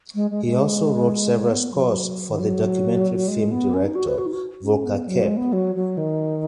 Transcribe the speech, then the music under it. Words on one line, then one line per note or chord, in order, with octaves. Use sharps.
He also wrote several scores for the documentary film director Volker Koepp.
G#3
G#3
G#3
B3
F#3
D#3
F#3
G#3
B3
C#4
D#4
F#4
B4
F#4
D#4
F#4
C#4
B3
F#3
G#3
B3
F#3
F#3
D#3